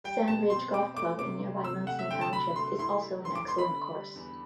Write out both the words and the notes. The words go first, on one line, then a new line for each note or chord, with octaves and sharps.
Sand Ridge Golf Club in nearby Munson Township is also an excellent course.
G3 G5
B2 A5
C4 C6
C4 D6
A3 D6
C3 D6
C3
C3 E6
A3 F#5
E5
D3 G5
A5
F#3 B5
A3 C6
E4 C6
G3
E4 C6
D6
B3 C6
B5
D3
G3
E2